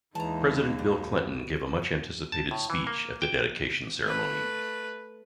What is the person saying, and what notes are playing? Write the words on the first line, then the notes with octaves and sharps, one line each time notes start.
President Bill Clinton gave a much-anticipated speech at the dedication ceremony.
D#2 E3 G#3 D#4 A5 A#5
F#2 G3
A5
A2
E3
A#3
G5
A3 B4